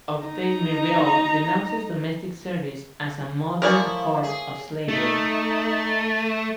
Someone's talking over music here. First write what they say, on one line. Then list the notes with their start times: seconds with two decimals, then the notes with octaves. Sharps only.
Octave Mirbeau denounces domestic service as a modern form of slavery.
0.23 D#4 A#5
3.62 F3 E4 A#4 C#5 D5 G#5
4.23 G#4
4.88 A3 D#4